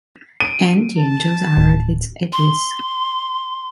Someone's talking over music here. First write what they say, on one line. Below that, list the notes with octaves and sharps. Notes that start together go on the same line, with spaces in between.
And the angels are at its edges.
D7 D#7
A5
D1
C6